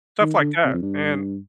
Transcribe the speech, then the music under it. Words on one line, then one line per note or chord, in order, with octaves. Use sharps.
stuff like that, and
D#3
D3
C3
F2
G2